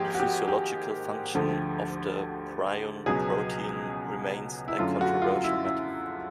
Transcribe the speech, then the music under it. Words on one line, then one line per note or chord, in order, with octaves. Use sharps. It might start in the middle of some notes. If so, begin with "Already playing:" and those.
The physiological function of the prion protein remains a controversial matter.
Already playing: G#1 G#2 F3 A#3 G4 G#4
F#4
G4
G4
D2 D3 F3 A3
C#2 B2 F#3 B3 G#4
E4
F#2 D3 F#3 A3 F4
F#4
F4
E4
E4